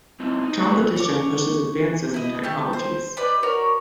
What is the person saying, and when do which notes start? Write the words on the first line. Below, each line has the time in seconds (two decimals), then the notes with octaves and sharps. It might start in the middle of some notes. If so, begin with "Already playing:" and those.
Competition pushes advances in technologies.
0.20 C4 D#4 E4
0.44 D#4
0.65 F#3 B4
0.96 C#5 D6
2.14 E4 D#5
2.43 A3 G4
2.73 C5
3.17 G4 B4 D5 D#5
3.43 F#4 A#4 C#5 D5